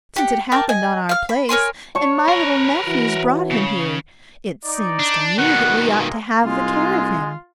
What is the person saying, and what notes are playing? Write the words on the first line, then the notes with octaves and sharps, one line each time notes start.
"Since it happened on our place, and my little nephews brought him here, it seems to me that we ought to have the care of him."
G4 F#5
A#4 D5 G5 A5
D#5 G#5
F5 F6
B5
A#4 C#5 G#5 C6
C#5 A5
A#4 B4
E3 E4 F#4
C#3
D#4 D5
D4
B2 D#3 G3 B3 F#5
G#3 A#3 C4
C2 G#3 F4